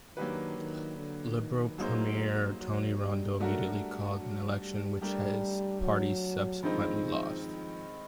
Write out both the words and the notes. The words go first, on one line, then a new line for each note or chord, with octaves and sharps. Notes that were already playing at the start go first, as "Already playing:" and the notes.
Liberal Premier Tony Rundle immediately called an election, which his party subsequently lost.
D#3 F#3 A#3 D4 G4 B4
D#3
D3
D#3
F#3 A#3 D#4 G#4 C5
F#3
G3
F#3 A3 D4 F#4 A#4
G3
F#3
G3
G3 A3 D4 G4 A#4
F#3
G2 D#3 F3 G#3 C4 D#4
F3